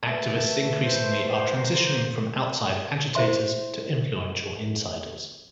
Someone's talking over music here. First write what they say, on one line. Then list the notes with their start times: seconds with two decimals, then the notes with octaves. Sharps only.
Activists increasingly are transitioning from outside agitators to influential insiders.
0.07 D#2 A3 B4 E5 A5
0.82 C5
1.54 A#3
3.15 E4 C5 E5 C6